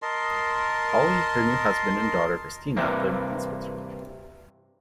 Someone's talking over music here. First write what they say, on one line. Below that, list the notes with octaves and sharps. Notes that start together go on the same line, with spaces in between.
Holly, her new husband and daughter Christina lived in Switzerland.
A#4 D#5 A5 C6
G2 C3 E3 A#3